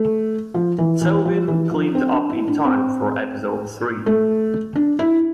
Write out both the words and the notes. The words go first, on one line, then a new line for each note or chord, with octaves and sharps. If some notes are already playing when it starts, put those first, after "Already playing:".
Selwyn cleaned up in time for episode three.
Already playing: A3
F3
E3
E3
F3
E3
F3
C4
D4
E4
D4
C4
A3
D4
E4